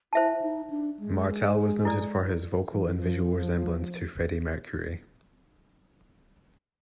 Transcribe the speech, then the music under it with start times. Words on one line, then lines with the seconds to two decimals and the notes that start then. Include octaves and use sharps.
Martel was noted for his vocal and visual resemblance to Freddie Mercury.
0.13 E4 C5 E5 A5
0.41 D#4
0.70 D4
0.99 G#3
1.85 E4 A4 D5
2.71 F3
2.84 E3
2.96 F3